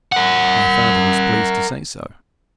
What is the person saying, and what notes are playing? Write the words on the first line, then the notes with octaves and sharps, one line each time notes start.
'My father is pleased to say so.'
A#4 F#5